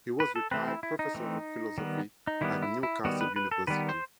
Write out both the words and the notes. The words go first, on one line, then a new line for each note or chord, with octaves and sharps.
He was a retired Professor of Philosophy at Newcastle University.
B4
A4
E3 A3 C4 B4
E4
E4
D#4
E3 A3 C4
D#3 G3 B3
D#4
D#3 G3 B3 E4
E4
E4
D#3 G3 B3 F#4
B4
B4
A4
D#3 G3 B3 B4
C5